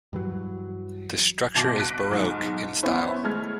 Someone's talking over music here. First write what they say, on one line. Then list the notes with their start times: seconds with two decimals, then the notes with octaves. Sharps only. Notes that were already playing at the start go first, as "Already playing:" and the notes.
The structure is Baroque in style.
0.13 G2 E3 F#3
1.55 G1 B2 A5 D6 A#6
1.76 F#6 B6 D7
2.11 B1 G#2
2.83 B3 C#4 E4 C5
3.23 G#3 A3 F6 G#6